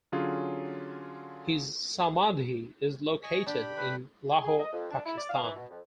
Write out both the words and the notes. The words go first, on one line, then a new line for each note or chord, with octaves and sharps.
His Samadhi is located in Lahore, Pakistan.
D3 F#3 C#4 F4 G#4
D#5 G#5 C#6
D4 G4 G5 B5
A3 B4
G#4
G#4
D#5
F2
D4
E4
D5
F5
E3
B2
F2